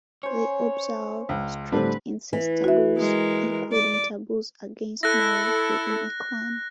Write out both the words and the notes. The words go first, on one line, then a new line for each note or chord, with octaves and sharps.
They observe strict incest taboos, including taboos against marriage within a clan.
C#4 C5 C#5
C#2
A2 D3 G3 C4 D4 B4
E3
F#4 E5
G#3 A#4
D5
E4 A4 F#6 A#6